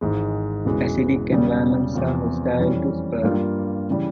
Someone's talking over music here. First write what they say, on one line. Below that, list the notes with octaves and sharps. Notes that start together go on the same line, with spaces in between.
Acidic environments are hostile to sperm.
G#1 G#2 E3 G#3
E1 E2 C#3 E3 G#3
E1 E2 C#3 G3
E2 C3 F3 C4 F4
F2 E3 G3 C#4
G2 G3 A#3 F4
C#3 E3 G3